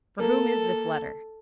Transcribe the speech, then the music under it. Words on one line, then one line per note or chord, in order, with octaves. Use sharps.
"For whom is this letter?"
A#3 A4